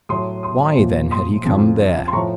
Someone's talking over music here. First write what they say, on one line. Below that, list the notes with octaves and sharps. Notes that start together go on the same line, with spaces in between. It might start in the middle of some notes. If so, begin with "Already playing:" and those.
Why, then, had he come there?
A2 F#3 C6 D#6
C6 D#6
A#2 F3
C6 D#6
F2 C#3 F3
C6
A2 F3 A#5 C#6